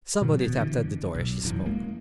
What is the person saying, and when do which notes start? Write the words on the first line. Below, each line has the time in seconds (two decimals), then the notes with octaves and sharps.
Somebody tapped at the door, as she spoke.
0.22 B2 D#3 F#3
0.39 B2
0.57 D3 E3
1.15 B1
1.43 F1 F#2 E3
1.66 G#3 A#3